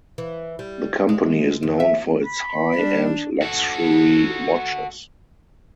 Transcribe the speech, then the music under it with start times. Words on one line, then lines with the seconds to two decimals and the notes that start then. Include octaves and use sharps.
The company is known for its high end luxury watches.
0.18 E3
0.59 G3
1.09 G#3
1.63 F2
1.80 E5
2.25 B5
2.74 G3 D4
3.42 F#4 A4